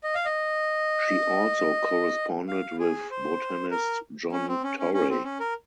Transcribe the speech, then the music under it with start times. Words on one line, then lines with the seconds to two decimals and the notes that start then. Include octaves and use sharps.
She also corresponded with botanist John Torrey.
0.03 D#5
0.15 F5
0.25 D#5
2.48 F5
2.80 G#4
3.11 C5
3.71 A#4
4.32 C#4
4.48 C4
4.64 C#4
4.78 C#4
4.94 C#4
5.09 C4
5.24 C#4
5.40 A#4